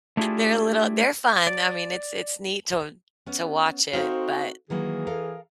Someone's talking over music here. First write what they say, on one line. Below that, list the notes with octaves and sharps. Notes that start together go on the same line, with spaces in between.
They're a little they're fun. I mean, it's it's neat to to watch it, but
A3 D4 E4 F4 G4 G#4
D5
B3 C#4
C4 D#4 F#4 A4 C5 F5
D#3 E3 F#3 A#3 G#4
A4 A#4 F5